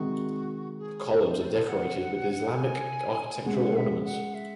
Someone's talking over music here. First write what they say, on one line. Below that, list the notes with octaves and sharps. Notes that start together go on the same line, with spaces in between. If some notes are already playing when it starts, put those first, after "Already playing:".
The columns are decorated with Islamic architectural ornaments.
Already playing: C3 D#3 G#3 D#4 F#4
G#4
A4
C5
A4
C5
A4
F#5
G#5
C#3 G#3 C#4 F#5
E5
F#5
E5
F#5
E5